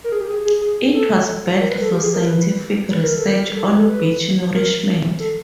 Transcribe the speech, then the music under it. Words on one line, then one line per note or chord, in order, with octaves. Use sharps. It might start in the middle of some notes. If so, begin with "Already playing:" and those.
It was built for scientific research on Beach nourishment.
A#4
G#4
G4
G#4
G#4
G#4
A4
A#4
B4
A4
G4
G#4
A#4
B4
B4
A#4
A4
A#4
A4
G4
A4
B4
A#4
A4